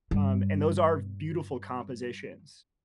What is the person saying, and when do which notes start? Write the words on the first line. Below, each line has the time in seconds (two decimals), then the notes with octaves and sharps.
Um, and those are beautiful compositions.
0.11 G2 G3